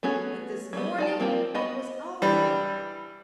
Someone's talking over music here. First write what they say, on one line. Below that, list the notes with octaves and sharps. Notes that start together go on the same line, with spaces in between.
But this morning it was over.
A3 B3 C#4 F#4 G#4
F#3 G3 B3
D#4 D5 A5
G3 A#3 C4 F4 G5
B3 F#4 D#5 B5
E3 G3 D4 B4